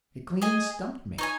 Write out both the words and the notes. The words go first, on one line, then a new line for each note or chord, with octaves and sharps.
It clean stumped me.
G#4 D#5 G#5
D#4 C#5 G#5